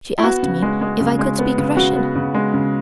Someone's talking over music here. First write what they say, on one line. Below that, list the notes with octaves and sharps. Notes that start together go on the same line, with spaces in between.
She asked me if I could speak Russian.
E4
B3 F#4
C#3
G#3
G#3
C#3
G#3
B3
C#3
C#3 F#4
B3
C#3
G#3
C#3